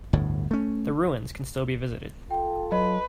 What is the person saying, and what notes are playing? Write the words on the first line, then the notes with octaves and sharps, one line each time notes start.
The ruins can still be visited.
G1 D2 A2
A3 C#4
F4 A4 G5
F#3 B4 D#5